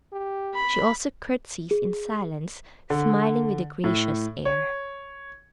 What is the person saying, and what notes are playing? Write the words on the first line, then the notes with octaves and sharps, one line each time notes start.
She also curtsies in silence, smiling with a gracious air.
G4
B5
G#4
D3
A2
C#5